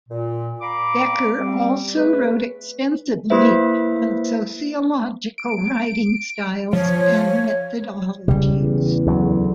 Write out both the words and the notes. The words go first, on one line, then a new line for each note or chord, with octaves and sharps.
Becker also wrote extensively on sociological writing styles and methodologies.
A#2
D5 F5 A#5 B5 D6
G3 C4
C#3 A3 B3 B4
A#3 E4 B4 C5 E5
D7
F3 C#5
C#3 G3 C#4
E2
D2 F#3